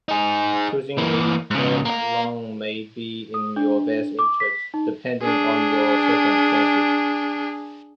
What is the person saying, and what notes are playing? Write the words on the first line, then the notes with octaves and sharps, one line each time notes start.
Choosing a term loan may be in your best interest, depending on your circumstances.
D#4 G#4
E3 A#3
G#2 C#3
A#3 F5
D#6
D4
D6
B6
D#4
D4 G#4